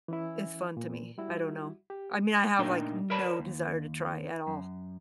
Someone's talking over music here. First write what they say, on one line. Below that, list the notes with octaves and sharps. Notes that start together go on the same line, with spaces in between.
as fun to me. I don't know. I mean, I have, like, no desire to try at all.
E3 C#4 E4
A#2
G3 E4 F#4
G4
A#2 A3 D4 D#4 A#4 G5
A#4 B4 C#5 D5 A5 B5
D#2
F#2